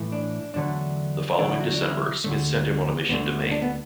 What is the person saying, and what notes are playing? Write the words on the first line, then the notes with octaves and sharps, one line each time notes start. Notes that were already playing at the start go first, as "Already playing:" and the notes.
The following December, Smith sent him on a mission to Maine.
Already playing: A2 E3 A3
D4
E2 D3 F#3 A3 D4
E2 D3 F#3 A3 D4
E4
F#4
D4
E4
D2 D3 A3
D2 D3 A3 B3
D4
B3